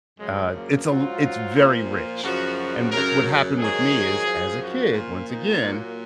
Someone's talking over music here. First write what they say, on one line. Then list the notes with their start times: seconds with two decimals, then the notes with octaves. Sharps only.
Uh, it's a it's very rich. And w what happened with me is, as a kid, once again,
0.19 F#2 C#3 F3 G#3
0.53 A#3
0.87 G#2 F#3 F4
1.55 A#2 F3
1.90 F4
2.23 F#2 C#3 F3 F#4
2.57 F#4
2.91 F#2 C#3 F#3 A#4
3.59 G#2 D#3 F#3 G#4
4.26 F#2 F3
4.61 F#4
4.94 A#2 F3 F4
5.28 D#4
5.62 A#2 F#3 A#3